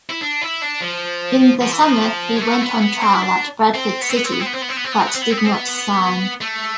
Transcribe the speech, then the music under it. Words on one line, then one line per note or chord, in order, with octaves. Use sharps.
In the summer he went on trial at Bradford City, but did not sign.
E4
D4
E4
D4
F3
F3
E3
F3
G#3
A3
B3
B3
C4
E4
D4
C4
B3
C4
B3
C4
B3
C4
B3
C4
B3
C4
B3
C4
B3
C4
B3
C4
B3
C4
B3
C4
B3
A3